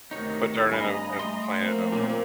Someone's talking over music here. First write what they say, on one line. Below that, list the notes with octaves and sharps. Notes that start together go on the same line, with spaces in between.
put dirt in 'em and planted 'em.
D2 C3 D#3 D#4 C#5
G2 D#5 G#5 A#5 B5
A3 C6
F3 A#3 C4
A#2 C#4